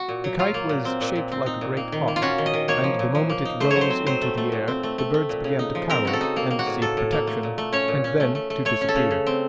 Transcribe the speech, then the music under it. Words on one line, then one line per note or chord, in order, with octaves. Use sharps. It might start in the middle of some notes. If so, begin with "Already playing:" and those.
The kite was shaped like a great hawk; and the moment it rose into the air the birds began to cower and seek protection--and then to disappear.
Already playing: F#4
A#2
F#3
F#3 F4
A#3
A#2
C4
A#2
A#2
C4
D#4
A#2
A#3
D#3
A#3
F4
C#4 F#4
D#3
D#5
D#3
A#3 C#5
F3
A#2
F3
A#3
D#4
A3 C5
C#5
F#3
C5
C4
F#3 C5
A3
A3
A#2
C4
A3
A3
A3
A#2
C#3
D#4
F3
C4 A#4
C#3 F#4
A4
D#4
A#3
A#3
F#4
A2
A2 A4
A2
A#3
A3
A#2
A3
C#4 C#5
A#2
C#4
A3
A3
A3
A3 C#5
C#4
A4
C#3
C#3
C4